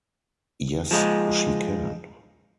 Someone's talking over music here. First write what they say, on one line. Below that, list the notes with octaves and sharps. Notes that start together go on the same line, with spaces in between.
Yes she can.
F3 G#3